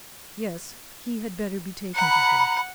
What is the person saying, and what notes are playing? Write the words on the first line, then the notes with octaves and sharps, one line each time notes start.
Yes; he had better be taken to her.
F#5 A#5 B5